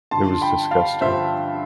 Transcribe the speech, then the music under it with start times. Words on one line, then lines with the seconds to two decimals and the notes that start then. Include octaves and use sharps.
It was disgusting.
0.11 G2 D3 F3 A5 C6
0.41 G5 B5
0.71 F5 A5
1.01 G2 D3 F3 C5 E5